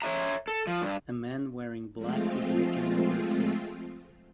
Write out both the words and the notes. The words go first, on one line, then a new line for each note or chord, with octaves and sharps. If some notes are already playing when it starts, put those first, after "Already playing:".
A man wearing black is looking over a cliff.
C#5 D5 E5 A#5
A4
F3
G2
F3 G#3 A3 C4 F4